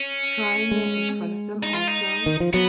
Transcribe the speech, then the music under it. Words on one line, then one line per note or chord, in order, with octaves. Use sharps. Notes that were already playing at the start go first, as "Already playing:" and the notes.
Trying it in front of them also.
Already playing: C#4
G#3
D#4
F4
D#4
D#3
F3
F#3 B3